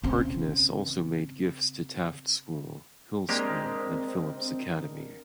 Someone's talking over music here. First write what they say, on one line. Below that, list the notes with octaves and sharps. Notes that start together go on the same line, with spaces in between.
Harkness also made gifts to Taft School, Hill School and Phillips Academy.
C#3 C4
G#3 A#3 C4 D4 G4 A#4 D#5